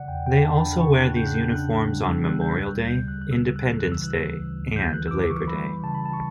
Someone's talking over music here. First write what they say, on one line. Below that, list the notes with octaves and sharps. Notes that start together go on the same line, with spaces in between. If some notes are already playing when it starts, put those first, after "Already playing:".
They also wear these uniforms on Memorial Day, Independence Day, and Labor Day.
Already playing: C#3 D5 F#5
E2 G5
G5
D4 A5
B5
C#3 C#6
F#6
C#3 G6
F#6
G6
D4 F#6
G3 F#6
E6
G3 F#6
G6
D2 F#6
G6
C#3
F#6
F#6
C#3 E6
F#6
E3
F#6
E6
E3 F#6
D2
E3 G6
F#6
E6
E3 D6
C#6
G3 B5
C#3 A5
B5
A5
C#6